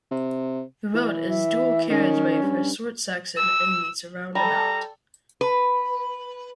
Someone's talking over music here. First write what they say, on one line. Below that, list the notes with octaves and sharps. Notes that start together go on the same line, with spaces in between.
The road is dual carriageway for a short section and meets a roundabout.
C3
E3
E5
D#3 C#4
G2
E6
G3 A4 A#5
B4